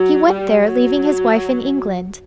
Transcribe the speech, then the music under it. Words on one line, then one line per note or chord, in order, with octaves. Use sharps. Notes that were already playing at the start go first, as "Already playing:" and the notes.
He went there, leaving his wife in England.
Already playing: F#3
G3
F#3